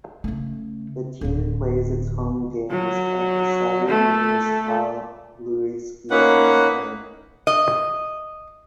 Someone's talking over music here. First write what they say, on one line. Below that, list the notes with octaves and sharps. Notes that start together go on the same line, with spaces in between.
The team plays its home games at Estadio Municipal Luis Guillermo Moreno.
C#3 A3
D1 D3
F#3
A3
A#3 C#4 D#4 B4 F#5
D#5